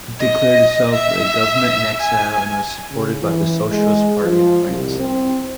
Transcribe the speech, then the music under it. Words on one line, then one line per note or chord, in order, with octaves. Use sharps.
It declared itself a government-in-exile and was supported by the Socialist Party in France.
D#5
E5
G#5
C#3
E3
G#3
F3
C2
C4